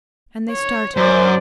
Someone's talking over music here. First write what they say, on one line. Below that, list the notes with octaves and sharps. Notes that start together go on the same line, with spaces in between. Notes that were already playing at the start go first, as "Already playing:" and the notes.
And they started.
C#5
F#2 C5 D5